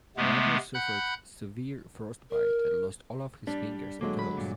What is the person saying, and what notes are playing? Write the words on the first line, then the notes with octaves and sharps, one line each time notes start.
The latter suffered severe frostbite and lost all of his fingers and toes.
C3 G#3 A3 B3
F#5 B5 F#6 G6
A#4
G3 D4
D3 F#3 G#3 A#3
B5
G2 A#2